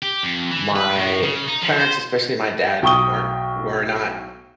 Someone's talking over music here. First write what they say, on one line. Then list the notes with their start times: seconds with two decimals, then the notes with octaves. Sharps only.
my parents, especially my dad, weren't were not
0.02 G4
0.23 F2
0.51 E3
0.76 B4
0.96 A2
1.23 C#3
1.48 D#4
1.62 F3
1.78 C5
2.82 B1 G5 C#6 D#6 G7